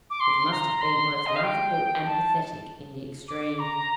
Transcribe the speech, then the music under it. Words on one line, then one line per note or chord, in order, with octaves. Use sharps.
It must have been both laughable and pathetic in the extreme.
D6
C6
A#5
C6
D#5
F5
G5
A5
D6
A#5